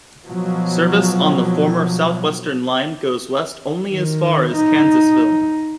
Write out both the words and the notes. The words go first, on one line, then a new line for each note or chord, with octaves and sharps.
Service on the former Southwestern Line goes west only as far as Kansasville.
B2 F3 F#3
D#3
D#4